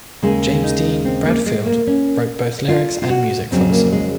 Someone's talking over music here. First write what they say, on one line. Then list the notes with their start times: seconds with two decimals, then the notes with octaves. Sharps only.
James Dean Bradfield wrote both lyrics and music for the song.
0.23 D#2 C#3 G#3
0.64 D#4
1.05 C4
1.24 A#3
1.46 G#3
1.66 A#3
1.87 C#4
2.69 F4
3.02 F4
3.10 F#4
3.52 F2 C#3 F#3 C4
3.72 A#3
3.92 G#3